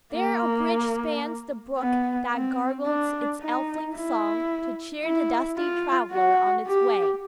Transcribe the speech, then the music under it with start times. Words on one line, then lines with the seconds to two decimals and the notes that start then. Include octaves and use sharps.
There a bridge spans the brook that gurgles its elfin song to cheer the dusty traveler on its way.
0.15 A#3
1.78 B3
2.33 C4
2.86 D4
3.41 D#4
3.95 E4
5.04 E4
5.57 F4
6.11 F#4
6.66 G4